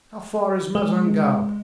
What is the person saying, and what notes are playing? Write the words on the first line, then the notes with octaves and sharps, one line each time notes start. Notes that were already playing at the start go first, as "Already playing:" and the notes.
"How far is Mazingarbe?"
G#3